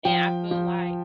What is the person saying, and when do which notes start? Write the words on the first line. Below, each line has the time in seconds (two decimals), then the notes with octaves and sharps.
and I feel like
0.05 F3 G5
0.51 F3